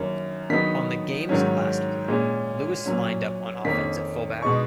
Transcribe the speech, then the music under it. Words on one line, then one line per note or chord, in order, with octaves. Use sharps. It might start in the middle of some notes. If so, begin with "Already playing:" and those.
On the game's last play, Lewis lined up on offense at fullback.
Already playing: F#2 D#3 A#3 C#4
D#3 F#3 B3 D#4 B6
G#2 D#3 F#3 C#4
A#2 G#3 C#4
A#2 F#3 C#4
F2 D#3 A#3 C#4 B6
B2 G#3 D#4 C#6